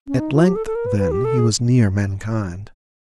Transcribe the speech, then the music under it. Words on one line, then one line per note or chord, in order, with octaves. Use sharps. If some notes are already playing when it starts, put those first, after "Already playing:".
At length, then, he was near mankind.
C#4
D#4
F4
G4
A4
A4
A#4
B4
B4
G4
A4
G#4